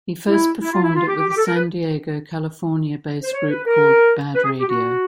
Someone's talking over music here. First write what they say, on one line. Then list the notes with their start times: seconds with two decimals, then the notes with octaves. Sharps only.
He first performed it with a San Diego, California-based group called Bad Radio.
0.27 E4
0.61 E4
0.72 F4
0.82 E4
0.95 F4
1.07 G4
1.18 G4
1.29 G4
1.37 A4
1.46 A#4
1.55 B4
3.23 C5
3.33 C#5
3.50 B4
3.66 A#4
4.35 B4
4.43 G#4
4.59 G4
4.68 F#4